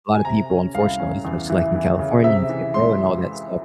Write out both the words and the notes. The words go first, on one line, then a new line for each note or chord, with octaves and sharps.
A lotta people, unfortunately, especially, like, in California, and Skid Row and all that stuff,
G#5
C3 A#5
C#4
C2 F5
C#4
E2
E3
E3
C#3
C3 E5
E3
C#2 C6